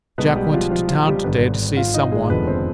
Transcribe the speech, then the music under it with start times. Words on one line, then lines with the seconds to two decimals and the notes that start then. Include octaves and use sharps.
Jack went to town today to see some one.
0.18 B1 B2 G#3 B3 B4
0.36 G3 G4
0.53 F3 F4
0.71 F3 F4
0.89 F3 F4
1.07 G3 G4
1.24 G#1 G2 D3 B3 B4
1.77 F4 F5
1.94 D#4 D#5
2.12 G#3 G#4
2.29 F1 D#2 D3 F3 G#3 B3 B4
2.47 C4 C5